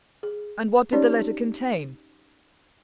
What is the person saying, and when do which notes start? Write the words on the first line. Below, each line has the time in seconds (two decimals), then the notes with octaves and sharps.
"And what did the letter contain?"
0.23 G#4
0.93 C#4 D#4 G4 C#5 D5